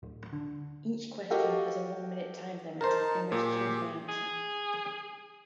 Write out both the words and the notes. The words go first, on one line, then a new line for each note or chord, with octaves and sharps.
Each question has a one-minute time limit in which teams may answer.
D1
D3
F#4 G4 A4 D#5 F5 G5
D#4 A#4 C5 A5
A#2 G4 G#4
G#4